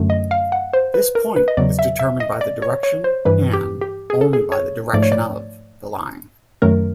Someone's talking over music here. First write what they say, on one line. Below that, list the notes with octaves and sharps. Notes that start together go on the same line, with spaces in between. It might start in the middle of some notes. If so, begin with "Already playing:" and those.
This point is determined by the direction-and only by the direction-of the line.
Already playing: F#2 D3 F#3 A3
D#5
F5
F#5
C5
B4
A#4
B4
D#5
E2 C#3 F#3 D5
E5
E5
D#5
D5
C#5
C#5
C5
G2 E3 G3 B4
G4
G4
G#4
A4
G#4
C#5
G#2 F3 A3 D5
C#5
D5
F#2 D#3 F#3 A3 A#4